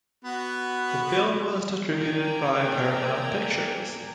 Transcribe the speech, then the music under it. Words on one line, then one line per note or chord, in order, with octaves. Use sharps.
The film was distributed by Paramount Pictures.
B3 F#4
A#3 D5 G5 G#5 A#5 G#6